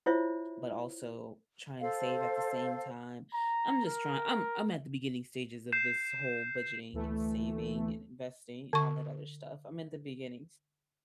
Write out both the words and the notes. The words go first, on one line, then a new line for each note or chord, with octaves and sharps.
but also trying to save at the same time. I'm just trying I'm I'm at the beginning stages of this whole budgeting and saving and investing and all that other stuff. I'm at the beginning
E4 F4 C5 C#5 E5
A4 C5 F5
A#5
A#4
G6 C7 E7
D2 E3 A3
D3 C#6